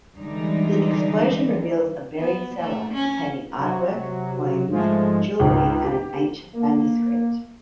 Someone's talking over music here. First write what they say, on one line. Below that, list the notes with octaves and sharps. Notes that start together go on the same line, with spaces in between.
The explosion reveals a buried cellar containing artwork, coins, jewellery and an ancient manuscript.
D3 E3 G3 G#3 D#4
B3
A3
C#4
C3 F#3 F#4
G#2 F3 G#3 A3
C#2 G#2
G4
A#3